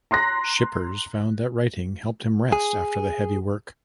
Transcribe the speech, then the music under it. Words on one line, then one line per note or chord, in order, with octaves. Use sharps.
Schippers found that writing helped him rest after the heavy work.
A#5 C6 F#6 A#6
G#4